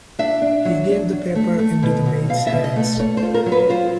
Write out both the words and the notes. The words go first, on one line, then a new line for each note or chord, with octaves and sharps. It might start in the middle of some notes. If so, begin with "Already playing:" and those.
He gave the paper into the maid's hands.
D4 E5
D4
F#3
D4
F#3
A3
A3
B2
F#3
B2 F5
E5
B2
D#5
A3
A3 C#5
C5
F4
A#4
F#3
B4
F4 C5